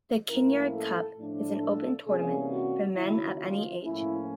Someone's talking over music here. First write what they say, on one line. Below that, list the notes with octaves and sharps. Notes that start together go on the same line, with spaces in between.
The Kinnaird Cup is an open tournament for men of any age.
A2 F3 A#3 C#4 E4 A#4
A4
A2 F3 A3 D4
A4
C3 E3 G3 A#3 C#4 G#4
F#4
D#2 C#3 F#3 E4
F4
A2 F3 A#3 C#4 E4